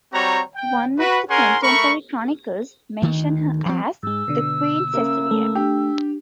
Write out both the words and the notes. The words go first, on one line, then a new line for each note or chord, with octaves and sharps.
One of the contemporary chronicles mention her as "the queen Cecilia".
G3 C4 F#4 C#5 A#5
G5
F#4 B4
C#4 G#4 A#4 F#5 G#5 C6
A3 A#4 B5 C#6
D2 D#3
F3 C4
G#2 G#3 E6
B2 D3
C#3 A#3 E5
A3
D4 G4